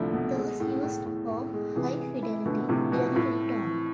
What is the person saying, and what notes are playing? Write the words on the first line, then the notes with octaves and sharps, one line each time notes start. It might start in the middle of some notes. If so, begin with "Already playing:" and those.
Those used for high-fidelity generally don't.
Already playing: C2 D3 F3 A3 E4
B2
G#3
A2
A2
A2
A2
G#3
C3 E3 G#4
G#4
E4
B2 D3 A3
A2 C3 F3
B2 F3
A2 A3
C4
E3